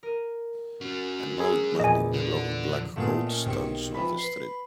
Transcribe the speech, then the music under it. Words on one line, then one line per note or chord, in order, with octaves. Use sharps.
An old man in a long black coat stands on the street.
A#4 D#7
F#3 C#4
G#4 C#6 E6
E2 A#2 D#5 G#5
D3
A#2 D3 A3 B3 G#4
D#3 C#4
B1 C3 D#3 C#6
F2 E3 B5
B4 C6